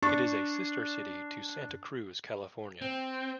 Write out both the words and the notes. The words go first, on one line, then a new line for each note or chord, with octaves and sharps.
It is a sister city to Santa Cruz, California.
D4 C#6 A6
C4